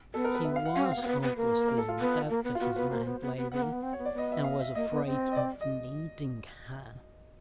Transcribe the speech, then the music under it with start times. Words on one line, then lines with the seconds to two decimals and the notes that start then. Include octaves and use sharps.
He was hopelessly in debt to his landlady, and was afraid of meeting her.
0.14 B3 A4
0.24 A#4
0.35 B4
0.45 E5
0.56 F5
0.65 F#5
0.76 C#4 F5
0.86 C4
0.92 F5
0.96 B3
1.02 C4
1.06 B3 B4
1.22 B3
1.37 A#3
1.68 A#4
1.78 A4
1.89 F4
1.99 B3
2.30 A#3
2.44 B3
2.55 F4
2.60 B3 F#4
2.76 B3 B4
2.91 A#3 C5
3.06 B3
3.22 B3
3.37 B3
3.52 B3 F#5
3.62 A#3
3.73 B3
3.83 C4
3.93 C#5
3.99 B3
4.05 D5
4.13 B3 D#5
4.32 E5
4.44 F5
4.60 E5
4.75 A#3 D#5
4.91 B3
5.06 C4
5.32 D#5
5.36 D5
5.61 D#5